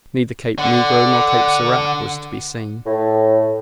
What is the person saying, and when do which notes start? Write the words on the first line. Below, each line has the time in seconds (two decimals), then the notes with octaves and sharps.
Neither Cape Negro nor Cape Serrat was to be seen.
0.58 D3 F#5
2.85 A2